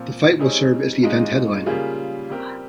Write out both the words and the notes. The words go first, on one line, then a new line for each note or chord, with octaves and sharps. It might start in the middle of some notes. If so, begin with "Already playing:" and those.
The fight will serve as the event headliner.
Already playing: A#2 F3 C4
G3 C4 D#4 G#4 C#5
A#2 G#3 D#4
C#3 G3 A#3 F4 G#4
G3 C4 G4 A#4